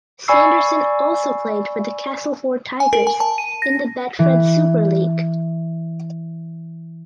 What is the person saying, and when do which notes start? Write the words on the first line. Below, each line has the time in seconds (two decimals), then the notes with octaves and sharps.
Sanderson also played for the Castleford Tigers in the Betfred Super League.
0.28 D5 G#5 B5 C#6 E6 C7
2.80 G#5
2.93 A#4
3.07 G#5
3.20 A5
3.38 D#7
3.62 A#6
4.19 E3 D7